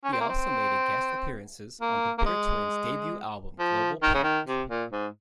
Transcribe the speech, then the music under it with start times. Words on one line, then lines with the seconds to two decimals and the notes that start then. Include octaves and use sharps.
He also made a guest appearances on The Bitter Twins debut album Global Panic!
0.04 C#4
0.12 C4
0.20 A#3
0.29 C4
1.81 A#3
2.18 A#3
2.26 G#3
3.59 F3
4.03 D#3
4.14 C#3
4.23 D#3
4.47 C3
4.69 A#2
4.92 G#2